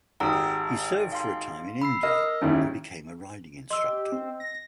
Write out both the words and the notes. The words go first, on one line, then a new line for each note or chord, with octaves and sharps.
He served for a time in India, and became a Riding Instructor.
G#1 G4 F#5 A#5 D#6 E6
F5 C6
B5 E6 C7
A#4 D#5 E6 F6
G#1 D#2 C#4 E4
D#5 C6 E6
G4
C4
A#6